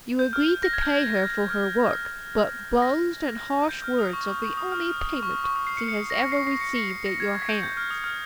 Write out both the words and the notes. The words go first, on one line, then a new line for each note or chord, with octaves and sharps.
You agreed to pay her for her work, but blows and harsh words are the only payment she has ever received at your hands.
G6
F6
G6
A#6
G#6
G6
G#6
F6
A#6
G6
F6
D#6
C#6
C#6
C#6
D#6
F6
F6
D#6
C#6
C#6
D#6
C7
C#7
C#7
A#6
C7
C7
C#7
C#7
C7
A#6
G#6
G#6
G6
G6
F6
D#6
F6